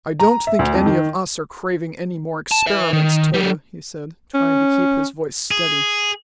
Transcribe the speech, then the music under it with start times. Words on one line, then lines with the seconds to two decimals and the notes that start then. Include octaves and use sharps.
"I don't think any of us are craving any more experiments, Tode," he said, trying to keep his voice steady.
0.20 A#5
0.47 E5
0.59 D2
0.74 F2
0.86 D#3
2.51 A5
2.66 B4 E5
2.93 D#3
3.34 F#3 G4
4.34 C#4
5.51 G#4